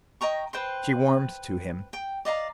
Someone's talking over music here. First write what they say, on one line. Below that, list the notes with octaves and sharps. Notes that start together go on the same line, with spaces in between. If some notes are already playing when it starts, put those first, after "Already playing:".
She warmed to him.
D#5 G5 A#5 C#6
B4 C5 G5 C6
G5
D5 D#5 F5 A#5